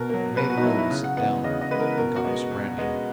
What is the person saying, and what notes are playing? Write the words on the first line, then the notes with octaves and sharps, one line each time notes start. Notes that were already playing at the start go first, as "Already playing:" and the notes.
I made Rooum sit down, and got him some brandy.
Already playing: B2 A#4
F#3 A#3
B2 B4
F#4
D#4
F#3 A#3 E4
E4
C#3
F#5
E3 G#3 B3 F#5
C#3 D#5
D#5
E3 G#3 B3 B4
A#4
B2 A#4
F#4
G#3 B3
B2
G#3 B3